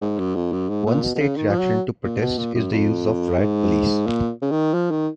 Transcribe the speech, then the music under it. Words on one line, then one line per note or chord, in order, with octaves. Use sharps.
One state reaction to protests is the use of riot police.
G#2
F#2
F2
F#2
G#2
A#2
B2
B2
C#3
D#3
F3
F#3
A#2
B2
A#2
F#2
F2
G#2
A#2
C#3
D#3
F3
D#3